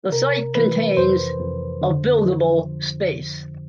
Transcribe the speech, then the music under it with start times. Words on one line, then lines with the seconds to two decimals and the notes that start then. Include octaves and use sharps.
The site contains of buildable space.
0.12 C3 A#4
0.55 E3 B4
0.97 F2 C5
1.40 F2
1.82 D3
2.25 F3